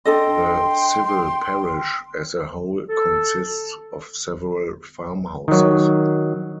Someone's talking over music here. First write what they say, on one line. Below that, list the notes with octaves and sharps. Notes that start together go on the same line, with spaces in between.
The civil parish as a whole consists of several farm houses.
D4 A4 D#5 G5 C6
A4
D#3 F#3